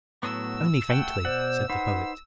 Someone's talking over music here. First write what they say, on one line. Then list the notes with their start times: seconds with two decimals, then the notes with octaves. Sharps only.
"Only faintly," said the Poet.
0.23 A2 F#3 B3 E6
0.89 A3 F#5 G5
1.25 B2 C5 D5 F#5
1.70 D#4 B4 C5 F#5